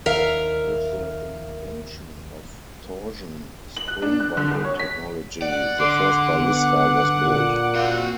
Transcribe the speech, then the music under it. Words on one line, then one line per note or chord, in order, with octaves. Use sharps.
With the invention of torsion spring bundle technology, the first ballista was built.
D#2 A#4 E5 F5
F#7
F#6
D4
F#6
D3
C2
C#5
B6
D5 F#5
D3 C6 D6
B3 D6
A#2
C4 F#4 F5